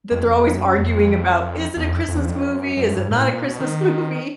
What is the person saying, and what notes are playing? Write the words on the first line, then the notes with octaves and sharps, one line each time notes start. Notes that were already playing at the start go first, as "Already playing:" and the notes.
that they're always arguing about, "Is it a Christmas movie? Is it not a Christmas movie?"
F2
F2
F#2
F2
E2
F2
F2
E2
F2
F#2
F#2
G2
A2
A#2
B2
D#3